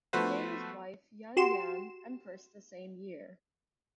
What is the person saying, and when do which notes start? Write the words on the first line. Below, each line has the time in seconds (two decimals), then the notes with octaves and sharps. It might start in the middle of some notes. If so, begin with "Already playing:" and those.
He made his wife Yang Yan empress the same year.
0.13 F3 A3 B3 F#4 B4 C5
1.37 F#4 G4 C6 E7